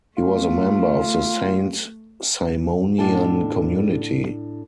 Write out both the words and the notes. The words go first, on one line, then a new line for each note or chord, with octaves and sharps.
He was a member of the Saint-Simonian community.
A3 F4
A2 D4 F4 A4 D#5 G#5